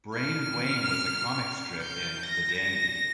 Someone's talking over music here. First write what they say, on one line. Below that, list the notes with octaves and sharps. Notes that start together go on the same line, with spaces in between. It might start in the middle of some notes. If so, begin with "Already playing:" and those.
Brain Duane was a comic strip in The Dandy.
F6
G6
A#6